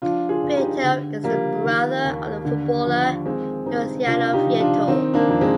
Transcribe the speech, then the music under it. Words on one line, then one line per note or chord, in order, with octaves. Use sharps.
Vietto is the brother of the footballer Luciano Vietto.
F3 D4 F4
F4 G#4
G2
D#4 G4
D3
F3 G3 A#3
D#3
D#2
D3
F3
D#3 G#3 C4
G2 C4 D#4
C3 D4 F4
D#4 G4
F3
D4 F4
D#3 C4 D#4
A#3 D4
F2
G#3 C4